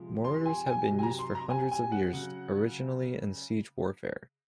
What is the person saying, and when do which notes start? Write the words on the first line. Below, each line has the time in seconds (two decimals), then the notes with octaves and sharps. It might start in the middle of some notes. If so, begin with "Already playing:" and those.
Mortars have been used for hundreds of years, originally in siege warfare.
Already playing: C3 F3 G#3
0.24 C6
0.46 G#5
0.67 G#5
0.87 C3 F#3
0.99 G#5
1.03 A#5
1.19 C6
1.35 A#5
1.50 G#5
1.71 G#5
1.92 F#5
2.13 C#3 F#3